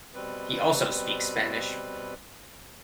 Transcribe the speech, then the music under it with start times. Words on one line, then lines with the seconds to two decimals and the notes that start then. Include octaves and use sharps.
He also speaks Spanish.
0.14 B2 G3 C4 B4